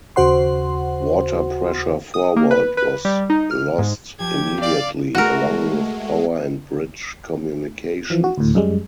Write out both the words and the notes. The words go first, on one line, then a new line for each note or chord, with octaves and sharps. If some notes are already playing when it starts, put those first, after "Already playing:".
Water pressure forward was lost immediately, along with power and bridge communications.
D#2 C#3 F#4 C5 F#5 C6
D#6
A#3
B4
B4
G3
D#4
F6
G#2
F3 G4 G#6
D5 F5
G#3 A3 F#4 A#4
E3 F3
F#4
D2 A2
F#2 G3 G#3